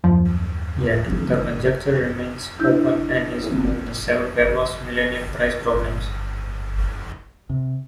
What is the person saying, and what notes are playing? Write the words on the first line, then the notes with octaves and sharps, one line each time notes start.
Yet, the conjecture remains open and is among the seven famous Millennium Prize Problems.
D#1 F#2 F3
D4 E4 E6 G6
G1
C3